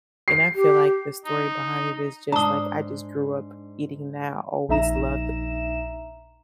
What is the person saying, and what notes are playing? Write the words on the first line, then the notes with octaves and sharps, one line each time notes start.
and I feel like the story behind it is just like I just grew up eating that, always loved
C7
G4
D#4
G#2 D4 A5 A#5 D#6 G7
A#1 D#4 E5 A#5 E7